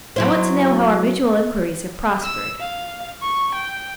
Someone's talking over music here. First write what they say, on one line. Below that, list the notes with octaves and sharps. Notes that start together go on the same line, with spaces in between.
I want to know how our mutual inquiries have prospered.'
F#3 E4 C5
E6
F5
C#6
G5